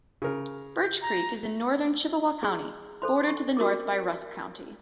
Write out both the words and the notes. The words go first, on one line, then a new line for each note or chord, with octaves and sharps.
Birch Creek is in northern Chippewa County, bordered to the north by Rusk County.
C#3 A#4
G6
A#5
G#4
A4 C5 C6
C#6
F#4 A#4 D6